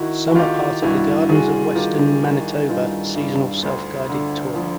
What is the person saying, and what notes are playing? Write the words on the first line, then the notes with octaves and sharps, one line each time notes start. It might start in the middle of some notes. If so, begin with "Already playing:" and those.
Some are part of the Gardens of Western Manitoba seasonal self-guided tour.
Already playing: D#3 E4 F#4
F#4
D#3 F4 G4
G2 E4 F#4
G2 F#4 G#4
D#3 F4 G4
D#3
G2 D#4 F4
G2
D2
D3
F3